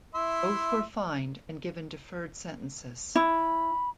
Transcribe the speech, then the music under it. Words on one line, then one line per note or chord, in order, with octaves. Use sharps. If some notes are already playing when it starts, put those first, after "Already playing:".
Both were fined and given deferred sentences.
E4 E5 C6
E4 B5